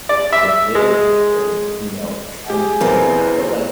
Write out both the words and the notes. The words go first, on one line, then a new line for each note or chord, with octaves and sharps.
if I did, I was, you know, trying to I felt like,
D5
E5
G#3
G4 G#4
E2 A#2 E3 A#3 C4